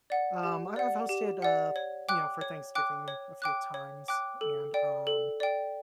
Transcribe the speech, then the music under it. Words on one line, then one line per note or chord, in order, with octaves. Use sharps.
Um, I I've hosted, uh, f you know, for Thanksgiving a few times, and, um,
D5 F#5
G4
D5 F#5
G4
D5 F#5
C#5
G5 D6 F#6
C#5
G5 D6 F#6
C#5
G5 D6 F#6
C#5
G5 D6 F#6
A4
D5 G5
A4
D5 G5